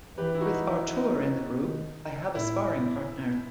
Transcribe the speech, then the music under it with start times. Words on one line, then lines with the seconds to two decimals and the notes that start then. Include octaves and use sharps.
With Artur in the group, I have a sparring partner.
0.17 E3 G4 B4
0.34 E4
0.41 D#4 F#4
0.66 E4
0.90 D#4
1.62 D#3
2.35 A2 E4